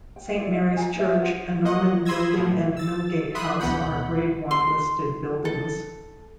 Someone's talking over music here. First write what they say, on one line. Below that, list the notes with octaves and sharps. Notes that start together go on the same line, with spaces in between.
Saint Mary's church, a Norman building and Milgate House are Grade One listed buildings.
G5
E4 F4 D5
D#4 D#5
G#5 A#5
D#4 B4 C#5 E5
F4 C5 F#5
A#3 D#5 F#5
B5 C6 D#6 E6 G#6 A#6
A2 F3
E6 A6
E5 B5 C6 D#6 F#6
D2 B2 E3 F#5 B5 G6
C6
A4